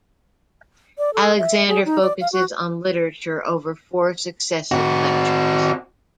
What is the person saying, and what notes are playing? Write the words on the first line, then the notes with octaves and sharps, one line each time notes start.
Alexander, focuses on literature over four successive lectures.
D5
A4
E5
G#4
D#4
D5
F5
F#4
C4 F#4